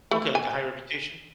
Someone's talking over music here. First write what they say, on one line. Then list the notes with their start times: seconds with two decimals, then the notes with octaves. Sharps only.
Okay, like, a high reputation?
0.11 A3
0.35 G#5